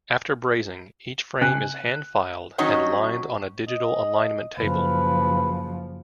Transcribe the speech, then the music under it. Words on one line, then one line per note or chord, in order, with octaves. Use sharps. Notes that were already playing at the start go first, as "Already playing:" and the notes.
After brazing, each frame is hand filed and aligned on a digital alignment table.
C#3 G#5 F#6
D#3 F#3 C#4 D#4 C#5
D#5
F#1 F3 B4